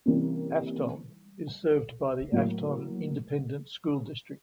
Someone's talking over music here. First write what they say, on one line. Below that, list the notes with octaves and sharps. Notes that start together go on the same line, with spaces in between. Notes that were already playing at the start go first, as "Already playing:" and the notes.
Afton is served by the Afton Independent School District.
C3 E3 G3 A#3 C#4
A2 F#3 A#3